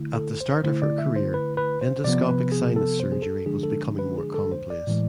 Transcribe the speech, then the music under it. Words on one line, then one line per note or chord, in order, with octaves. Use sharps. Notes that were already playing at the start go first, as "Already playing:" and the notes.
At the start of her career endoscopic sinus surgery was becoming more commonplace.
Already playing: D3 A3 E4
A4
C5
D3 A3 E4 C5
D5
E5
C5
B4
B4
C5
C3 F3 B3 D5
B4
G#4
A4
C5
G#4
A4
D3 F3 G#3 D4 G#4
A4
B4
G#4
A4
C5
D5
A2 E3 G#3